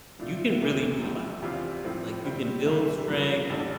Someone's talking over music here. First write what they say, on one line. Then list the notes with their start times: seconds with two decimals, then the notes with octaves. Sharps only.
you can really do a lot with dumbbells, like, you can build strength,
0.19 A2 F3 A3 D4 F4
0.60 E1 D2 C3 E3
1.02 A1 G2 F3 A3 C4
1.42 E2 C3 G3 C4 F4
1.84 A2 F3 C4
2.25 A2 G3 C4
2.66 C2 C3 E3 G3
3.08 G2 F3 A#3
3.49 A1 A2 G3 D4 A4